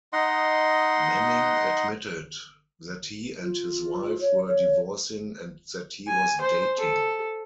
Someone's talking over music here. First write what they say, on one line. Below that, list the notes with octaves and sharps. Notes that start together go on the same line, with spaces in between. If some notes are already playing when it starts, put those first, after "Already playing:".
Manning admitted that he and his wife were divorcing and that he was dating.
D#4 D#5 F#5 C6
F4
C#5
C#5
G#5
C5
A4